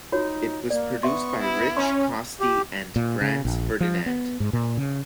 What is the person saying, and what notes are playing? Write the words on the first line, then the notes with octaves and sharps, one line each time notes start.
It was produced by Rich Costey and Franz Ferdinand.
D#4 F4 F#4 C#5
A#3 D5
B3 E5 C6 C#6
E4
C#4 C6
G4
A#2
C#3
A#1
F3
B3
G#2
A#2
C#3